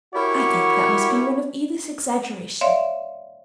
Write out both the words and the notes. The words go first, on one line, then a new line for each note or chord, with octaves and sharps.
'I think that must be one of Edith's exaggerations.
E4 F#4 G4 A#4 C#5
C#5 D5 E5 F5 C6